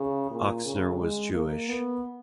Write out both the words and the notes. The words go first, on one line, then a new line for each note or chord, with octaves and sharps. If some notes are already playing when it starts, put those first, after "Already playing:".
Oksner was Jewish.
Already playing: C#3
A#2
C#3
G#3
A#3
B3